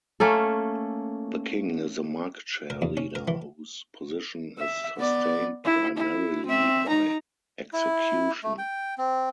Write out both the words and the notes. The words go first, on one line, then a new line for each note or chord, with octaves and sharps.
The king is the market share leader whose position is sustained primarily by execution.
A3 A#3 C#4 A4
A#4
E2
C#4
A#4
E3
E5
B3 D5
E4
E4
C4 E5
D#4 A#5
E4
A3
G5
C4